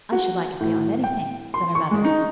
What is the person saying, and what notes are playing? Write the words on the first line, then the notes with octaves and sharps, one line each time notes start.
"I should like it beyond anything!" said her mother.
F#4
A2
G5
C6
C#6
G#3
D#4